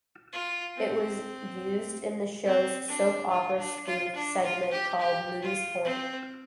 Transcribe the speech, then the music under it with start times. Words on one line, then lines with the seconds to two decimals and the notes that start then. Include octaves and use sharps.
It was used in the show's soap opera spoof segment called "Moody's Point".
0.33 F4
0.76 C4
2.45 C4
2.88 D4
3.30 F4
3.58 D4
3.87 F4
4.16 D4
4.44 F4
4.72 G4
5.00 G4
5.42 F4
5.84 C4